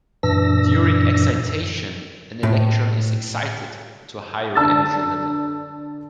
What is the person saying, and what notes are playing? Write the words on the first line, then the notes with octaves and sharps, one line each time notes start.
During excitation, an electron is excited to a higher energy level.
F#2 A#2 E3 D4 E6 A#6
A2
D3 D5 A5 E6 F6 A6